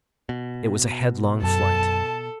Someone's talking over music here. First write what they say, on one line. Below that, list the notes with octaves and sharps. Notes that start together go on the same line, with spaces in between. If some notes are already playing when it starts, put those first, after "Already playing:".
It was a headlong flight.
B2
F#2 A4 A5